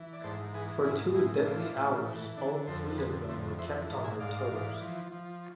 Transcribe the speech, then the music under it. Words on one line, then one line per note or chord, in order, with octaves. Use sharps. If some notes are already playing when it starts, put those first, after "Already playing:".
For two deadly hours, all three of them were kept on their toes.
Already playing: E3
D5
G#2 A4 C5
E3 G#4 B4
G#2 E4 G#4
A2 E4 G#4
E3 D4 F4
A2
E3
D3 D4
F2 A4 C5
D3 G#4 B4
C4
F2 C4 E4
E3 C5 E5
G#2 F5 A5
E5 G#5
G#2 D5 F5
E3
F3
F3